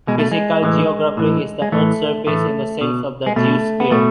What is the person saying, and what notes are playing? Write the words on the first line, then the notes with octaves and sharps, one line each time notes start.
Physical geography is the earth's surface in the sense of the geosphere.
B2 G#3
A3
G#3
A2 E3
A2 E3
G#3
A2 E3 A3
A2 E3 A3
B2
G#3
B2 A3
B3
B2 A3